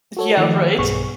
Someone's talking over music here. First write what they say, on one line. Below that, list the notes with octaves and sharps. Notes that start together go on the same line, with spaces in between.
Yeah, right.
F#4 A4 C#5
D#3 F3 A3
B1 G2 B3 G#4 C#6